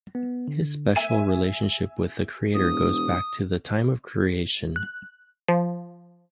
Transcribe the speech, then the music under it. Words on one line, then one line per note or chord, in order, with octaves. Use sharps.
His special relationship with the Creator goes back to the time of creation.
B3
D3
E5 G#5 D#7
E1 D#6
F#6
F3